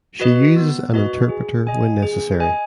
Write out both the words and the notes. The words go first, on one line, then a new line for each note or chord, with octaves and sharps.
She uses an interpreter when necessary.
F#4 B4 D#5
B3
F#4 B4 D#5
G#4
D#5 G#5
G#4
D#5 G#5